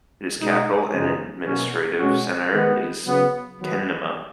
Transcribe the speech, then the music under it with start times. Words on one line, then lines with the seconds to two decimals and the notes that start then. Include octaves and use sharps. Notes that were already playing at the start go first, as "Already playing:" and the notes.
Its capital and administrative centre is Kenema.
0.39 B2 G#3 D#4
0.92 F#2 C#3 F3 G#3 D#4
1.46 B2 F#3 A#3 C#4 F#4
1.99 B2 G#3 C#4 F#4
2.52 D#3 G#3 B3
3.06 C#3 F#3 B3
3.59 D#3 F#3 B3